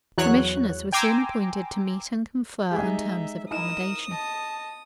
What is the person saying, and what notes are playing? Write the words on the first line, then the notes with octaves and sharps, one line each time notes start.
Commissioners were soon appointed to meet and confer on terms of accommodation.
E2 F#3 C#5 F#6
G5 G#5 A#5 C6 D6 E6
G#3 D#4 G4 G#4 E5
D#4 E4 A#4 D#6 E7
D#5 A5